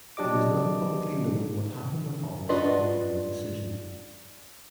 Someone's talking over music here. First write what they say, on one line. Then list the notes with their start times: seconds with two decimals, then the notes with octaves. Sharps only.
It is not publicly known what happened of Hollis following the decision.
0.17 F#3 D4 G4 D#5 D6
2.49 D4 F4 F#4 B4 D#5